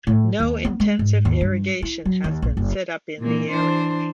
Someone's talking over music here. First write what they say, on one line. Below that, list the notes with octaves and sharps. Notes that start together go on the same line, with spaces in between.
No intensive irrigation has been set up in the area.
A2
D#2
B3
G#3
G#2
D#2
G2
E4
F#3
D#2
A#1
F#1
A#2 E3 A#3
E3 D4 C5